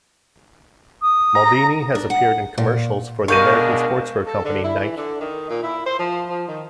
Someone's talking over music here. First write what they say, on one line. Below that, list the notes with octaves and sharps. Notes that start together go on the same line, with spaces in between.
Maldini has appeared in commercials for the American sportswear company Nike.
D#6
A#5
D4
F#5
A#2
B2 G#3 D4 A#4 F5 C#6 G6 D#7
A4
D3
E4
E3
D3
D#3
A#2
E4
C5
F3
F3
D#3